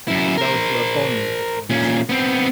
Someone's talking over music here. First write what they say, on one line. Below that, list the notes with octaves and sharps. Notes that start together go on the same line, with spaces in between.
As though it were a bond between us.
F#2 E4
A#4 C5
A#2 C#4
B3 C4